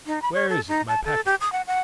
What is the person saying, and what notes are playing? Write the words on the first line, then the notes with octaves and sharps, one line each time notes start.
"Where is it, my packet?"
D#4
B5
C#5
A4
D#4
A5
A4
G4
D#6
F#5
F#5